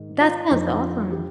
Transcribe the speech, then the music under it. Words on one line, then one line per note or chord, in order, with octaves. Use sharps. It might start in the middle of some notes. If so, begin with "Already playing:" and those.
That sounds awesome.
Already playing: G#2 D#3
F4
F2 D3 F3 D#4
F4
G4